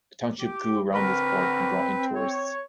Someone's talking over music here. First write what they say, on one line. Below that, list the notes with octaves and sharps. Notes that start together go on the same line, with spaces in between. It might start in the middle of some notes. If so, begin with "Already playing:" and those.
A township grew around this port, and brought in tourists.
G4 D6
D3 C4 F#4 A#4 B4
C#5